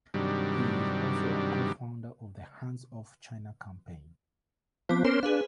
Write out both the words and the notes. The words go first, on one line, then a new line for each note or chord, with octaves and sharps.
He is also a co-founder of the Hands off China Campaign.
G2 C3 D#3 F#3 G3 D4
F3 B3 C4 D6
C#4 A#4 C5 C6 E7
D4 G#4 B4 F5